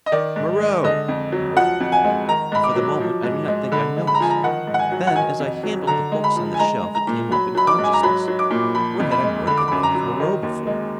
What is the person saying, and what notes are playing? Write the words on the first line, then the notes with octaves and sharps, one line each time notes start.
"Moreau!" I heard him call, and for the moment I do not think I noticed. Then as I handled the books on the shelf it came up in consciousness: Where had I heard the name of Moreau before?
D#5
D#3 D5
G#2
G#3
D3 D#5
F2
F#3
F3 F#5
F2
G#5
G#3
D#3 A#5
G#2 B5
D6
F#3
F3
G#2
G#3
D3 B5
G#3
B5
A#5
F3 G#5
A#5
D#3 F#5
G#2
F#5
G#5
F#3
F#5
D#3 G#5
F2
F#3
D3 A#5
G#3
B5
F3
G#5
G#3 A#5
G#3
A#5
A#2
F#3 B5
F#3 B5
D6
G#2
G#5
A#5
F#3 B5
F#3
D6
A#2
F3 B5
F2
B5
G#3
D3 B5
D6
F#2 B5
A#5
F#3
D#3
D#2
G#3